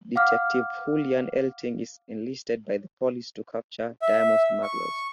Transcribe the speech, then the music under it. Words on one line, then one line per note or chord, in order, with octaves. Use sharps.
Detective Julian Eltinge is enlisted by the police to capture diamond smugglers.
F5 F#5 D6 F6
E5
C#6